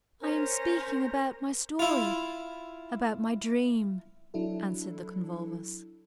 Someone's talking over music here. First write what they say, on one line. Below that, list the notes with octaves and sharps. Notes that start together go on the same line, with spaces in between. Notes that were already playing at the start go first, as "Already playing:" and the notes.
"I am speaking about my story--about my dream," answered the Convolvulus.
C#4 A#4 C5
E4 F4
F#3 D4 E4 A4